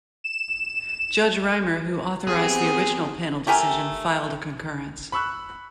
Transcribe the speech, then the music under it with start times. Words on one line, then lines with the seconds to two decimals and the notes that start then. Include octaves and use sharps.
Judge Rymer, who authored the original panel decision, filed a concurrence.
0.24 E7
2.27 B3 C4 G4 G#4
3.47 A3 G4 A#4 G#5
5.12 B5 C#6 E6 F#6